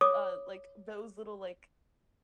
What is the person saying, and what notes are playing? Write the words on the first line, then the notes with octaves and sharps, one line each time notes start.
uh, like those little like,
C#5 D6 D#6